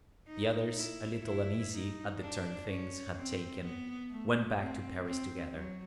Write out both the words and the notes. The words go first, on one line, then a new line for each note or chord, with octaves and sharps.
The others, a little uneasy at the turn things had taken, went back to Paris together.
D#4
E4
E4
D#4
D4
C#4
C4
B3
A3
C4
C4
F#3